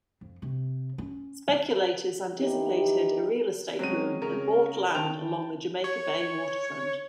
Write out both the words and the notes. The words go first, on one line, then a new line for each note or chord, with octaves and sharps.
Speculators anticipated a real estate boom and bought land along the Jamaica Bay waterfront.
F2
C3
C#4
D#3
E3 D#4 G4
F#3 G#3 C4 C#4 D#7
C#3 C#4 A#4
D#3 C5 G5 A5 F7
C#5